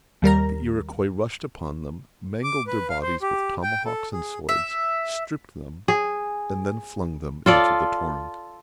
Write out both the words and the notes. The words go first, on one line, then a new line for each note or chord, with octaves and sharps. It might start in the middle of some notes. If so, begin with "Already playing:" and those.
The Iroquois rushed upon them, mangled their bodies with tomahawks and swords, stripped them, and then flung them into the torrent.
D#2 G3 A#4 A#5
D6
B4
F5
C5
G4
G5
A4
G#4
E5
G#4
F4 A4 D5